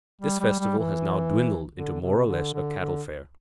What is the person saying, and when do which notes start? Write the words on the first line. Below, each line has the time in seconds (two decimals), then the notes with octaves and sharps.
This festival has now dwindled into more or less a cattle fair.
0.22 G3
0.41 G3
0.59 G3
0.79 E3
1.75 D3
2.01 C3
2.27 D3
2.53 D3
2.79 D3